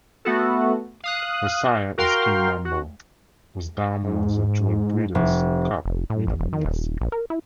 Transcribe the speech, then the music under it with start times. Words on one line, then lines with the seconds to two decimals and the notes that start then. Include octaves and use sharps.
Her sire is Kingmambo, whose dam was the dual Breeders' Cup winner Miesque.
0.25 A3 B3 F#4 A4
1.04 F5 D#6 F#6
1.98 F#4 A#4 F5 G5 C6 F6
2.65 F#4
4.04 G#2
5.15 F1
5.85 F1
6.10 A2
6.27 A1
6.39 E1
6.53 D#3
6.65 D#1
7.01 A#1
7.12 A#4
7.30 E4